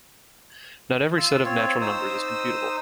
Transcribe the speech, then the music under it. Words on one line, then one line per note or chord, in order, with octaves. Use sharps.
Not every set of natural numbers is computable.
F4 E6
C4 F4 C#5
D#4 C5 D#6 E6